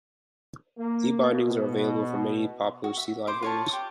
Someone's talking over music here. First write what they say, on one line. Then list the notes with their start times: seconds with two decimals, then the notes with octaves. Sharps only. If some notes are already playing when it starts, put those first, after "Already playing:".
D bindings are available for many popular C libraries.
0.78 A#3
1.49 B2
2.84 F#4
2.97 E5
3.27 C5 D6
3.42 F4 C#5 A5
3.73 G4